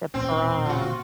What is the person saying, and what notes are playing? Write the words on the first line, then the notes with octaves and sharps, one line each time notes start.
The bra.
E1 A#2 C4 C#4
F4 F#4